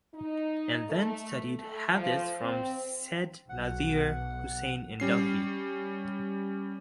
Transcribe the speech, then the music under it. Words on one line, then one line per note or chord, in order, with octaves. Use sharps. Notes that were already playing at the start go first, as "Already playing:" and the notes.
And then studied hadith from Syed Nazeer Husain in Delhi.
D#4
A3
A3
F3
C4
B1 F#5
G3 C#4 C7